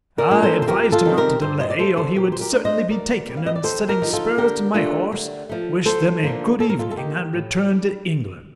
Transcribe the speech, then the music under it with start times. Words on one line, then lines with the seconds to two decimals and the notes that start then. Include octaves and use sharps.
I advised him not to delay, or he would certainly be taken, and setting spurs to my horse, wished them a good evening, and returned to England.
0.18 A#4 D5
0.30 F3 A#3 D4 F4
0.42 A4 C5
0.62 C5
0.68 F2 G4 A#4
0.92 F4 A4
1.05 C3 D#3 G3 C4
1.17 G4 A#4
1.41 G2 A4 C5
1.60 C5 D#5
1.70 D5
1.79 D3 A3 A4 C5
1.97 A4 C5
2.16 A#2 G4 A#4
2.32 C5
2.40 G4 A#4
2.52 A3 D4 F4
2.65 C5 D#5
2.90 D2 A#4 D5
3.27 D3 G3 C4
3.37 F5
3.46 D#5
3.55 D5
3.63 D#2 A4 C5
3.88 G4 A#4
4.01 D3 F3 A#3 D#4
4.13 F4 A4
4.38 D3 G4 A#4
4.74 A3 D4 F4
5.12 D3
5.49 F3 A3
5.85 D2 A4 C5
6.23 D3 F3 A#3
6.59 D#2 A4
6.69 A#4
6.79 F4 A4
6.91 A4
6.96 D#3 A#3 G4
7.33 A2
7.71 G3 D4